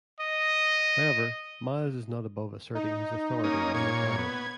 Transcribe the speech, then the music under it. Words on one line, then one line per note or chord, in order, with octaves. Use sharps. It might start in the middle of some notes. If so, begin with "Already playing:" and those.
However, Miles is not above asserting his authority when required.
D#5
D#4
A#3 C#4 D#6
A#2 C#5 G#6
B3